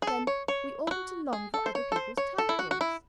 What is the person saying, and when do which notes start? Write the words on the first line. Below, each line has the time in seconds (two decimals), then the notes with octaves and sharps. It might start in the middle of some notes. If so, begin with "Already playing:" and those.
"Then we oughtn't to long for other people's titles."
0.02 G#4
0.07 A4
0.27 C#5
0.48 C#5
0.87 E4
0.91 F#4
1.33 G#4
1.54 A4
1.66 C5
1.75 C#5
1.92 A4
1.96 C5
2.17 C#5
2.38 A4
2.49 E4
2.59 F#4
2.71 F#4
2.81 E4